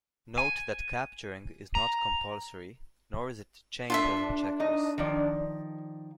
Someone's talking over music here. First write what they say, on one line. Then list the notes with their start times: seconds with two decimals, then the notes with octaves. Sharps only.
Note that capturing is not compulsory, nor is it "chained" as in checkers.
0.38 G#5
1.75 A#5
3.90 D4 F4 A4 E5
4.60 D#4 D#5
4.98 D#3 F3 D5